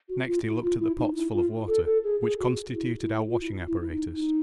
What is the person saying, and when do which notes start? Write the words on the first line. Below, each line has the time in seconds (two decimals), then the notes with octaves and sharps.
Next he looked at the pots full of water, which constituted our washing apparatus.
0.09 F#4
0.26 F4
0.45 E4
0.62 F4
0.80 E4
0.98 D#4
1.16 E4
1.33 F4
1.68 A4
1.86 A4
2.04 G#4
2.21 G#4
2.39 F#4
2.74 E4
3.01 E4
3.28 F4
3.41 E4
3.67 E4
3.81 E4
3.91 D#4
4.15 D#4